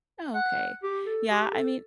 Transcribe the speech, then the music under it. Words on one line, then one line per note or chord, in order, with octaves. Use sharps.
Oh, okay, yeah, I mean
F#5
G4
A4
G4
A4